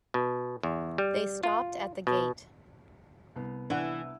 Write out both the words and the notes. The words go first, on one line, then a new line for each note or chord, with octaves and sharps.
They stopped at the gate.
B2
E2
G3
F4
B2
C2 B3
E3 D4 F#5